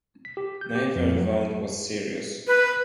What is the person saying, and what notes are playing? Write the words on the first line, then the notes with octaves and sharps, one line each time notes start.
Neither wound was serious.
B6
G4
G6
G4
F2
F#3
B4